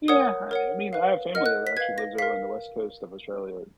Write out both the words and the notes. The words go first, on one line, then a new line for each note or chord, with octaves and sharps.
Yeah, I I mean, I have family that actually lives over on the west coast of Australia.
A#4 C#5 F#5 D#6
A#4 C#5 F#5
B4 F5
A#4 D#5 F#5 F6
F#6
B6
B4 F5 G#6
A#6
A#4 F5 B6